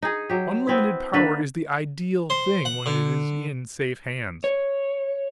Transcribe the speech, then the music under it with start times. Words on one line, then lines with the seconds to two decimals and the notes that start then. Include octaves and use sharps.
Unlimited power is the ideal thing when it is in safe hands.
0.03 D#4 G#4
0.30 F#3 G4
0.67 B3 C4 E4
1.13 D3 A#3 B4 E5
2.30 C5
2.65 F#5
2.86 D3
4.44 C#5